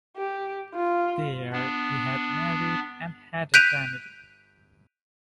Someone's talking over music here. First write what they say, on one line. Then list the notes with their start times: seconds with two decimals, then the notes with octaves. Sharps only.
There he had married and had a family.
0.17 G4
0.75 F4
1.53 B3 D4
3.54 F#6 G6 B6 D7 D#7 F7